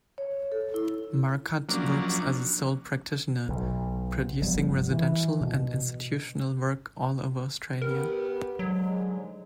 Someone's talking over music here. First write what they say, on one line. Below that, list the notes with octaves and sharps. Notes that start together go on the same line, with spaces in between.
Murcutt works as a sole practitioner, producing residential and institutional work all over Australia.
C#5
A4
E4
F3 F#3 A#3 C#4 D4
B1
G1 F3 G3 B3
E3
B2
B3 G4 A#4
G#2 D3 F#3 G#3